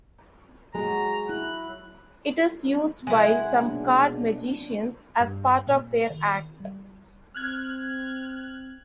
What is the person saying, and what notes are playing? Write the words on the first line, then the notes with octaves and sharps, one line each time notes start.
It is used by some card magicians as part of their act.
F#3 G#3 F#4 A#5
E4 F#6
C3 F#3 G#3 E4 F#5 G#5
B1 A#3 D4
G2
A#2
D#3
G3
C4 F6 F#6 G#6